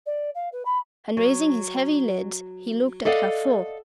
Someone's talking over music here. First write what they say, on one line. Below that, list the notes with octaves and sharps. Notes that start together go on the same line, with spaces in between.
And raising his heavy lids he looked at her full.
D5
F5
B4
B5
F#3
A4 D5 D#5 F5 F#5